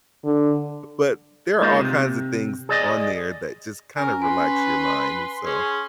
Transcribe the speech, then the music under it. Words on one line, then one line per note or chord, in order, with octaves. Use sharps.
But, there are all kinds of things on there that just kinda relax your mind, and so
D3
G#3 A#3 D#4 F4
C3
G#4 D5 D#5
C#4 A#4 G#5
B4 G#5 C6
C#4 G#4